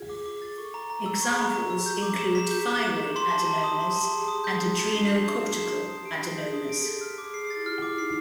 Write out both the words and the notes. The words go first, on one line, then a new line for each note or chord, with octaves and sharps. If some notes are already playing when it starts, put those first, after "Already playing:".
Examples include thyroid adenomas and adrenocortical adenomas.
Already playing: F4 G#4
D6
D6
A6
A4 C#6
A#5
A#5
E6
G#4 C#6
A#5
G4
F4 A#5
F#4
E6
G4 G6
G#4 D6
G4 E7
G#4 B6
G4 G6
D6
E7
B6
G4 C6
A5
A5
D#6
G4 C6
A5
G#4 A5
D#6
G#4 G6
F#4 D#6
F4 E7
D4 C7
G#4 G6
D#6
G#4
E7
G#4
C7
G4 G6
D#6
D7
B6
G#4 G6
D#6
G4
D7
A4
B6
F6
D6
G#4
C7
G4
A6
E4
F4 F6
E4 D6
D#4 C7